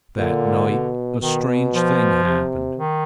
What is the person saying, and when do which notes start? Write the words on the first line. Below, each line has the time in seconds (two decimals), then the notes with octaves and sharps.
That night a strange thing happened.
0.17 A#2 D3
0.69 B2
1.21 B2 D#3
1.73 F3
2.26 C3
2.77 D#3